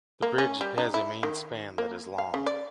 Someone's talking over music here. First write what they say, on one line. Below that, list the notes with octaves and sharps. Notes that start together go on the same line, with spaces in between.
The bridge has a main span that is long.
A#3
C#4
G3
D#4
E4
D#3
A#3
F5
C#3
D5